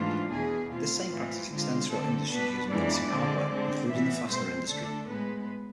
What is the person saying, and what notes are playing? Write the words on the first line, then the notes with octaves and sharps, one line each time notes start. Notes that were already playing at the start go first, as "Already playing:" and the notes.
This same practice extends throughout industries using military hardware, including the fastener industry.
Already playing: G#2 E3 A3 D4 F4
E2 B2 B3 G#4
B2 A3 C4 F4
A2 E3 A3 C4
D3 G#3 C4 F4
D3 A3 C4 A4
B2 B3 D4 B4
F2 E3 G#3 B3 D4 D5
D3 G#3 C4
D3 G#3 C4
A2 E3 B3 E5
B2 G#3 C4 C5
D3 A3 D4 A4
A2 G#3 B3 B4